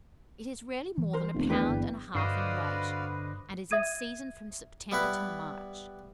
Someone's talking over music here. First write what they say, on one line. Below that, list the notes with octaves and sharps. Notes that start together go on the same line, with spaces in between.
It is rarely more than a pound and a half in weight, and is in season from September till March.
E3
A#4 C5
F1 D#2 A3 B3
E2 D4 G4 B4
G1
G2 D3 F#4 B4 C5 D5 D#5 F5
E5 D#6 G#6 D#7
G3 B3 E4 B4